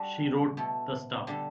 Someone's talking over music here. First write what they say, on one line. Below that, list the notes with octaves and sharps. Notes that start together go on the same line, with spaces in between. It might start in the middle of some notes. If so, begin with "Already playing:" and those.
She wrote the stuff.
Already playing: G3 D4 F#4 A4
B2 A3 E4 A4
D3 G3 D4 A4